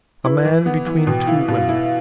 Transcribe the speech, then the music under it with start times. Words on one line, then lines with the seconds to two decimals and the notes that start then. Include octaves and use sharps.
A man between two women.
0.25 E4 B4
0.45 E3
0.66 B3
0.86 E3
1.07 B2 G5
1.27 E4 F5
1.48 B2 F5
1.59 F5
1.68 E4 E5
1.79 F5